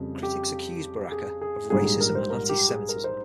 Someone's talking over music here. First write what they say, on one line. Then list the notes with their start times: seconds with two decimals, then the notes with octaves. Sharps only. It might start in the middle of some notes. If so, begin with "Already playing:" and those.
Critics accused Baraka of racism and anti-Semitism.
Already playing: F2 C#3 G3
0.23 G4
1.12 G#4
1.41 G#4
1.70 A#1 G#2 G3 G#4
1.85 G#4
2.00 A#4
2.15 C5
2.30 A#4
2.49 G4
2.69 G#4
2.89 A#4
3.04 C5